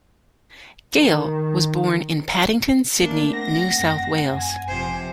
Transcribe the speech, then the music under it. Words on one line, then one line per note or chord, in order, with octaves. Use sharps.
Gale was born in Paddington, Sydney, New South Wales.
D#3
A3 A#3 D4
C4 F#5 A#6
F#2
F#2 G#5
G1 C3 F3 C5